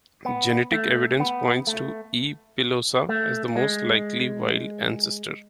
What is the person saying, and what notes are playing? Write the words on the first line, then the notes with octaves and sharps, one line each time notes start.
Genetic evidence points to "E. pilosa" as the most likely wild ancestor.
B3
A3
B3
A3
A3
G#3